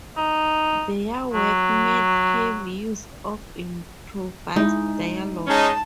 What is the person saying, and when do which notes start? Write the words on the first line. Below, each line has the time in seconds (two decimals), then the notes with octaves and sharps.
Their work made heavy use of improvised dialogue.
0.17 D#4
1.33 F#3
4.56 G#3 D#4 E4
5.48 G#3 C#4 D#4 A5